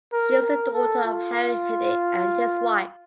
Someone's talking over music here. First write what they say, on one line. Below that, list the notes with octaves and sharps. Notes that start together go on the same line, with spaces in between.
She was the daughter of Harry Henig and his wife.
A#4
A#4
A4
F4